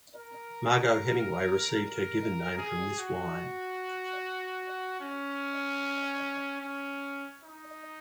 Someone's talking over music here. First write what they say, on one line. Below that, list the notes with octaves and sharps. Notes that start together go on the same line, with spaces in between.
Margaux Hemingway received her given name from this wine.
A#4
A#4
G#4
F#4
C#4
C#4
D#4